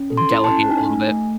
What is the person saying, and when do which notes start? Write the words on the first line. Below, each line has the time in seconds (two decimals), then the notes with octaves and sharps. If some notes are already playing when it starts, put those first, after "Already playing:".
Delegate a little bit.
Already playing: C#4
0.10 A4
0.17 C6
0.30 E4
0.44 A5
0.51 C#4
0.70 D#4 G#5
0.91 A3
1.10 A3